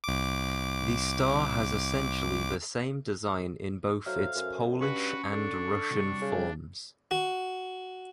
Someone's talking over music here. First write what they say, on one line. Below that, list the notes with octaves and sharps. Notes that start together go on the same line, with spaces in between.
The star has essentially the same design in both its Polish and Russian forms.
C2 D6
F#3 A4 C5 E5 F5
F#2
G2 C#4 F#4 B4 C#6
D3 D4
C3 F#3 G3
C#3
F#4